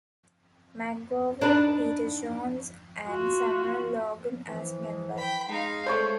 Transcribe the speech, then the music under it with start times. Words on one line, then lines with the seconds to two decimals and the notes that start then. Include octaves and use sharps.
McGowan, Peter Jones, and Samuel Logan as members.
1.41 D4 D#4 B4
3.05 F4 F#4
4.48 E3 F3
5.18 G5 B5
5.48 G#3 D#4 F5
5.86 A3 C5 C#5 C#6